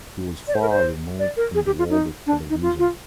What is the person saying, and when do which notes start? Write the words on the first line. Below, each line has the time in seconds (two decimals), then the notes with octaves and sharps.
He was far removed from the world of television.
0.48 D5
0.54 C5
0.62 A#4
0.70 C5
1.19 D5
1.37 A#4
1.55 G#4
1.66 G4
1.78 F4
1.90 D#4
2.26 D4
2.50 D#4
2.62 F4
2.79 F4